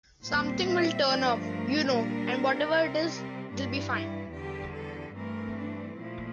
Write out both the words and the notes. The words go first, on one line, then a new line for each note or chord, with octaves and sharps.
Something will turn up, you know, and whatever it is it'll be fine.
A#2 G3 C4 C5
E5
G2 F3 A3 D4 D5
A#4
A#2 G3 D4
C3 G3 C4
G2 E3 G3 D4
E4
E2 D3 G3 G4
A4
G2 E3 A3 C4 A#4
D4
A#2 F3 A3 E4